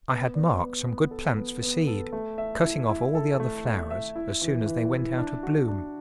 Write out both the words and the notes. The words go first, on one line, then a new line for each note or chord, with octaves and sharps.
I had marked some good plants for seed, cutting off all the other flowers as soon as they went out of bloom.
B3
D5
B3
B3
A4
B3
B3
A4
A3
E5
E4
E4
A4
A3
A3
E5
E4
E3
E3
E4
D4
F#4
D4